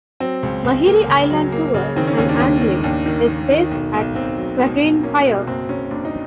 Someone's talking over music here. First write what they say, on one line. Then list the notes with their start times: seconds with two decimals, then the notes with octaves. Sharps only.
Maheree Island Tours and Angling is based at Scraggane Pier.
0.20 F#3 C4
0.43 C#2
0.64 C#2
0.86 A#3
1.08 C#3
1.30 F#3
1.52 A#3
1.74 C#3
1.96 D#3 C4
2.07 C#4
2.18 D#2 C#4
2.29 D4
2.40 D#2
2.62 D#3
2.84 D#2 D4
3.06 D#3
3.28 D#3
3.50 D#3
3.71 B1
3.94 B1
4.15 B1 C4
4.37 F#3
4.60 B2
4.81 B2
5.03 A#3 C#4
5.25 B2
5.47 F#1 C4
5.69 F#1 C#4
5.91 F#1 D4
6.05 D#4